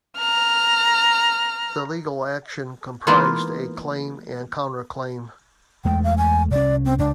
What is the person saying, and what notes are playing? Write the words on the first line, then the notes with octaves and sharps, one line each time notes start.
The legal action comprised a claim and counterclaim.
A#5 F6
E3 G#3 A#3 B3 D#4 F4
E2 G#3 A3 G5
F5
G#5
C2 C#4 D5
C4
C#2 D4